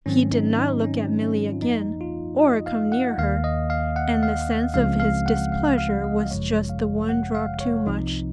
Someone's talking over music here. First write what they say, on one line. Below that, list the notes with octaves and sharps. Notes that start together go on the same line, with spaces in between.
He did not look at Milly again, or come near her, and the sense of his displeasure was just the one drop too much.
G#2 D#3 F#3 C4 C#4
D#4
D#4
C#4
C#4
F4
F#2 F3 A#3 D#4
F4
D#5
F5
F#5
D#2 D#3 A#3 F5
D#5
F5
F#5
F5
C#2 C#3 F3 G#3 C4 F5
F5
F#5
F5
F5
D#5
G#1 F#2 C#3 F3 G#3 C#5
F5
F#5
F5
C#5
C2 C3 F3 C4 D#4